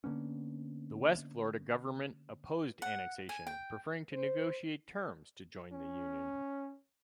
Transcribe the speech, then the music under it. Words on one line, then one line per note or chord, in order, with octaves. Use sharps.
The West Florida government opposed annexation, preferring to negotiate terms to join the Union.
D3 A#3 B3 C#4
F#5
G#5
G5
C5
C#4